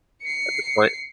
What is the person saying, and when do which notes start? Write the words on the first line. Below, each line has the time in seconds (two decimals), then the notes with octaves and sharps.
at this point?
0.25 C7 C#7